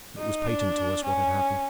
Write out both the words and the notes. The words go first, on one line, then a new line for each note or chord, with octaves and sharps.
It was patent to us what had happened.
D#4
D4
C#4